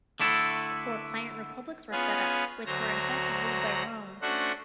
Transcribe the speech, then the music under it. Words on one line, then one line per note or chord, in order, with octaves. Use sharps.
Four client-republics were set up, which were in fact ruled by Rome.
D3 A3 E4 A4
B3 C#4 F4 G#4 B4
D2 F#3 F#4 C5 A#5
A3 C#4 D4 F#4 C5 F#5